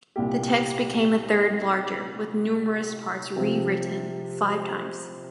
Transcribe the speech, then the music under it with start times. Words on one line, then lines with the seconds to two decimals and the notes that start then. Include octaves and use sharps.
The text became a third larger, with numerous parts rewritten five times.
0.16 C2 A#2 A#3 G4
3.36 C3 F3 C4